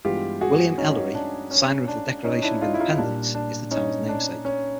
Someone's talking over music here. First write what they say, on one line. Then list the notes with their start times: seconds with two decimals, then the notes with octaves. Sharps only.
William Ellery, signer of the Declaration of Independence, is the town's namesake.
0.05 G2 E3 G#3 B3 F4 G4
0.41 F#4 G#4
0.78 C#4 D#4
1.15 D4
1.51 C#4
1.88 D4
2.24 C#4 D#4
2.42 D4 E4
2.61 D#4 F4
2.74 E4
2.80 D#4 F4
2.98 A#2 G3 A#3 D4
3.35 D4
3.71 C#4 D#4
4.09 D4
4.45 C#4